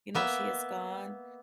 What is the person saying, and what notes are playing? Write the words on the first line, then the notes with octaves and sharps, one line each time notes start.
you know, she is gone.
A#3 B3 E5